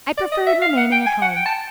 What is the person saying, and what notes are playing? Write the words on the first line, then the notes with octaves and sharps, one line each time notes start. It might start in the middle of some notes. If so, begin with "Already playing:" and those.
I preferred remaining at home.
D5
D#5
E5
F5
F#5
G5
G#5
F#5
G5
A5